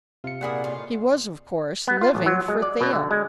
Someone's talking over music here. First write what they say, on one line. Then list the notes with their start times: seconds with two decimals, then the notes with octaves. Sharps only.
He was, of course, living for Thea.
0.24 C3 F4 C#7
0.41 A#2 A#3 E4 G#4 D5 F#5 D#6
0.64 A2 D#4 F4
1.87 B3
2.01 F4
2.15 A1
2.26 F#3
2.48 G#3
2.62 D5
2.81 B2
2.93 D3
3.11 G#3